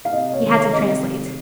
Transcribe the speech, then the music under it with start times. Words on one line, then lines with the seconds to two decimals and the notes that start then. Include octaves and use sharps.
He had to translate.
0.05 F5
0.13 C3 D#5
0.33 C#5
0.43 D#3
0.52 C#5
0.72 C3 D#5